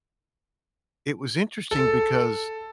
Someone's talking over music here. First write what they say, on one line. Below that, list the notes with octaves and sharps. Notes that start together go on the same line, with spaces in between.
it was interesting because
A4